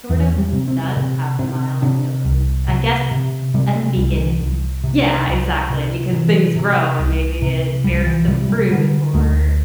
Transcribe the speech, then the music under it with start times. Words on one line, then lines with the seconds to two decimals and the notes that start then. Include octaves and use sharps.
sort of, does have milestones, I guess, at the beginning. Yeah, exactly, because things grow and maybe it bears some fruit or
0.09 E2 E3
0.38 G3
0.52 C3
0.68 C4
0.97 C3
1.39 C3 C4
1.82 C3 D4
2.25 C2
2.68 C3
3.11 C3
3.54 C3 G3
3.76 A3
3.97 C2 G3
4.19 E3
4.41 C2
4.84 C3
5.27 C2
5.70 C3
6.12 C3 E3
6.56 C3
6.99 C2
7.42 C3
7.84 C2 G3
8.06 E3
8.28 C3 G3
8.49 G3
8.71 D3 G3
9.14 D2 A3